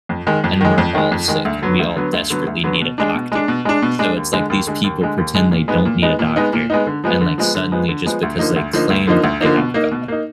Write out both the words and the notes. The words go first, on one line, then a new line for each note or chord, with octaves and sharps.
and we're all sick, and we all desperately need a doctor, so it's like these people pretend they don't need a doctor, and, like, suddenly, just because they claim that they have God,
F2
D#3 G#3
F2
D#3 G#3
F2
D#3 G#3
F2
D#3 G#3
D2
D3 F#3 B3
D2
D3 F#3 B3
D2
D3 F#3 B3
D2
D3 F#3 B3
B2
G#3 D4
B2
G#3 D4
B2
G#3 D4
B2
G#3 D4
D#2
D3 G#3
D#2
D3 G#3
D#2
D3 G#3
D#2
D3 G#3
A#2
G#3 B3 D#4
A#2
G#3 B3 D#4
A#2
G#3 B3 D#4
A#2
G#3 B3 D#4
D3
F3 G#3 B3
D3
F3 G#3 B3
D3
F3 G#3 B3
D3
F3 G#3 B3
D2
D3 F3 A#3 D#4
D2
D3 F3 A#3 D#4
D2
D3 F3 A#3 D#4
D2
D3 F3 A#3 D#4
B2
A#3 D#4
B2
A#3 D#4